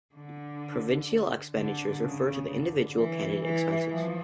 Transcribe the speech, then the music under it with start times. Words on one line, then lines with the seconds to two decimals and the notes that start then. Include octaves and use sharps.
Provincial expenditures refer to individual candidate expenses.
0.15 D3
1.55 D3
2.03 C#3
2.50 D3
2.97 E3
3.43 E3
3.91 F3